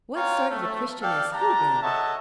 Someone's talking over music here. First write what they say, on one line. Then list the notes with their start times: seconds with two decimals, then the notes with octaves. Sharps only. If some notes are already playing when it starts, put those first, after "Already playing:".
"What sort of a Christian has he been?"
0.16 F4 F#4 C#5 F5 G5 A#5
0.48 A3
1.02 A4 D5 F5 G5
1.32 D4 G4 A5 A#5
1.82 A4 C#5 D#5 E5 F#5 A5